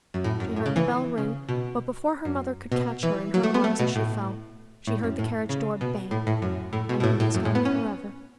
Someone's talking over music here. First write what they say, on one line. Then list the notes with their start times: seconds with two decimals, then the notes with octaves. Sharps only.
She heard the bell ring, but before her mother could catch her in her arms as she fell, she heard the carriage door bang, and he was gone forever.
0.14 F#2
0.24 A2
0.40 F#2
0.56 A2
0.66 C#3
0.76 E3
1.18 C#3
1.49 B2
2.25 F#2
2.72 B2
3.03 E3
3.34 F#3
3.43 A3
3.54 B3
3.64 A3
3.79 B2
3.96 A2
4.87 A2
5.03 F#2
5.19 A2
5.49 C#3
5.81 B2
6.11 A2
6.27 A2
6.42 F#2
6.73 A2
6.89 B2
7.00 B2
7.04 A2
7.20 A2
7.34 F#2
7.45 A2
7.55 B3
7.65 C#4